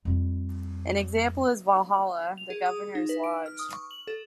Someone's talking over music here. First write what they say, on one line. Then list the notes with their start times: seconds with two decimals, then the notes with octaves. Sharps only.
An example is Valhalla, the governor's lodge.
0.05 F2 G3
2.38 F7
2.50 G#4
2.66 D#6
2.95 D#4
3.09 B4
3.24 D7
3.46 F6
3.59 D#6
3.74 C#6
3.91 F#7
4.07 A4